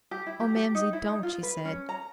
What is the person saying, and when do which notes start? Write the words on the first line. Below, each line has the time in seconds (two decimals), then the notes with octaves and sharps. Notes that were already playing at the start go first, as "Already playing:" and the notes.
"Oh, mamsie, don't," she said.
0.11 G4
0.26 E4
0.40 G4
0.56 G4
0.75 D#4
0.93 E4
1.08 D#4
1.23 F4
1.43 B4
1.65 C#4
1.89 A#5